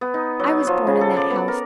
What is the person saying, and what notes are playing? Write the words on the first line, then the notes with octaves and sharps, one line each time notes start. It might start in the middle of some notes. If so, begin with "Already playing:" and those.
I was born in that house.
B3
D#4
F#3
F3
C#3
A4
D5
B3
A#4